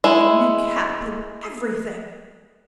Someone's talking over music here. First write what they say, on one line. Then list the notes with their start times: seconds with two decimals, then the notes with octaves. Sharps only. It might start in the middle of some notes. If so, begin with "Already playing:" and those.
A new cap, and everything!'
0.04 G#3 E4